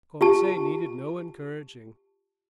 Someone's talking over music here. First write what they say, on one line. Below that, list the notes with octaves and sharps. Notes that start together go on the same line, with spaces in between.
Conseil needed no encouraging.
F4 G4 A5